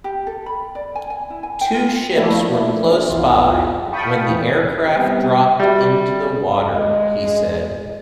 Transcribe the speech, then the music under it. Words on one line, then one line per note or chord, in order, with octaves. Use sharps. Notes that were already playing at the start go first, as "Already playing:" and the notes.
Two ships were close by when the aircraft dropped into the water, he said.
G4
A4
B5
D5
G#5
G#5
E4
G#5
G5
F4
F3 A3 A#3 D4 E4
B1 E2 F4
F5 G5 A5 B5 C#6 D#6
E2 E3
G3 B3 C4
G3 F#4 E5
G#3